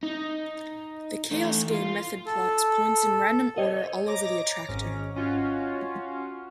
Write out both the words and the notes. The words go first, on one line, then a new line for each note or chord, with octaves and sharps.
The "chaos game" method plots points in random order all over the attractor.
D#4
E3 A3
F4
A4
C5 C#5 D#5
A#5 D6 A#6
G#1 G#2 C#4
C#4 F4 F#4